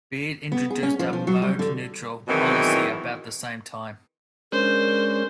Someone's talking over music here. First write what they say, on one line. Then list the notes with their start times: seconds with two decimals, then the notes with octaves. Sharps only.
Beard introduced a "mode neutral" policy about the same time.
0.52 B3
0.70 G#4
0.83 C#4
0.99 F3
1.13 F3
1.27 F#3
1.42 G3
1.59 D3
2.28 E2 B2 D#3 E3 F#3 C4
4.53 G#3 C#4 D4 A#4 C5